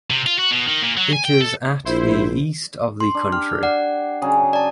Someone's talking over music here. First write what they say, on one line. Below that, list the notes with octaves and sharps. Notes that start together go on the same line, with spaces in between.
It is at the east of the country.
C3
F4
F#4
B2
D#3
A#2
F#3
G#5
G5
A4
A#1 E4 C5
C6
D4
G4 F6
D5 F#5
C#3 F#3 G#4
D5 A5